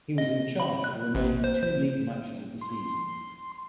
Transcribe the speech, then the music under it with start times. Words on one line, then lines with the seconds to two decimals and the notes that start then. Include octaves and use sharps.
He was in charge for the remaining two league matches of the season.
0.18 D#5
0.60 B5
0.84 F#6
1.15 A1
1.44 C5
1.62 C5
2.61 C6